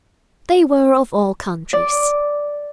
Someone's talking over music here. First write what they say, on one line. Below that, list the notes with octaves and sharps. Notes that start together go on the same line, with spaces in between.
They were of all countries.
D5